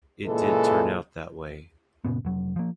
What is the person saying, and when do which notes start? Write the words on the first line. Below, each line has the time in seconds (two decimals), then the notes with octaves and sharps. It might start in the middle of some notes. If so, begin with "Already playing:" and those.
It did turn out that way.
0.25 A#2 C#3 E3 G#3 A4
2.05 F#1 A#2 C#3 B3
2.25 F1 F#3
2.56 F3 A#3